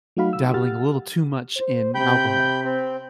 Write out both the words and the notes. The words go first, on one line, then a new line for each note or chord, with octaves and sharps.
dabbling a little too much in alcohol.
F#3 A3 D#4 F#4 F5 B5
E6
G4 F#5 F6 A6
C5
C3 G5 B5 G6
C4